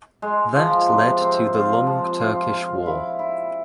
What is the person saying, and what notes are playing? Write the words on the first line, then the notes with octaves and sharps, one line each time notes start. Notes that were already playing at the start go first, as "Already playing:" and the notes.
That led to the long Turkish war.
G#3
F3
C3
C4
F4
F3
F4
F4
E4
E4